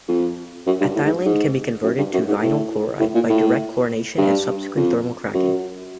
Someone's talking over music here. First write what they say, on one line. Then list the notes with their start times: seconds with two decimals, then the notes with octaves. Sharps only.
Ethylene can be converted to vinyl chloride by direct chlorination and subsequent thermal cracking.
0.08 F2
0.67 F#2
0.81 G2
0.95 A2
1.05 G#2
1.26 G#2
1.84 F#2
1.98 G2
2.13 F#2
2.28 G#2
2.42 A2
3.00 A2
3.15 A#2
3.30 A2
4.18 G2
4.76 F2
5.34 F#2